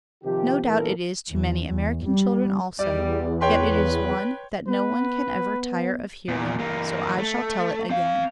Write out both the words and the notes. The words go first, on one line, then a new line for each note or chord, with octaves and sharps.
No doubt it is to many American children also, yet it is one that no one can ever tire of hearing, so I shall tell it again.
C3 D#3 F3 G4
A#1 A#2 E3 B3 A4 A#4
E2
E2
G3
E2 G3 D5
B4 C#5 G5 C6
B3 B4
E2 A#2
E3 A#3
A3
C4 F5